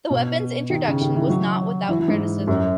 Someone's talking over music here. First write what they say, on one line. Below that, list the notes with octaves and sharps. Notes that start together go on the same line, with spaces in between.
The weapon's introduction was not without criticism.
B2
D#3
C#3
D#3
E3
F#3
E3
E3
G#2
F#2